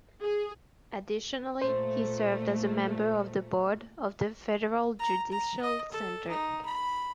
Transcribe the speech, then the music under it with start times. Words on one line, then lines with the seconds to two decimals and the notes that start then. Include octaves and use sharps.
Additionally he served as a member of the Board of the Federal Judicial Center.
0.21 G#4
1.62 A#2 A3 C5
4.99 A#5
5.32 A#5
5.61 D#5
5.92 A4
6.29 D#4
6.65 B5